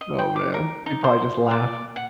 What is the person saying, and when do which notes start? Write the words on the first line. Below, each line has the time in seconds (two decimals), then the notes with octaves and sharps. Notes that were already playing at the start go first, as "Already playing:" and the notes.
Oh, man. He'd probably just laugh.
0.01 D#5
0.19 G5
0.36 D6
0.54 A#4
0.86 D#4
1.04 C5
1.51 D5
1.96 F#5